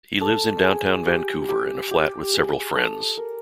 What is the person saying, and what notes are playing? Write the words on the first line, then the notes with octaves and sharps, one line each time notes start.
He lives in downtown Vancouver in a flat with several friends.
A4
G#4
G4
G4
G4
G#4
A4
A#4